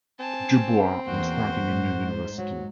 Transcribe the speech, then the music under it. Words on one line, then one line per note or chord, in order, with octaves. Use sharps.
Du Bois on starting a new university.
C4 G#5 A5
E2 A#3 F#4 C5
G#2
F#3